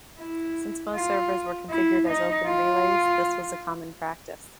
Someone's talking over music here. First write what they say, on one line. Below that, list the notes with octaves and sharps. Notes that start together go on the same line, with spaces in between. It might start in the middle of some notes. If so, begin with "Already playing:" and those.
Since most servers were configured as "open relays", this was a common practice.
E4
F4
E4
D#4
F4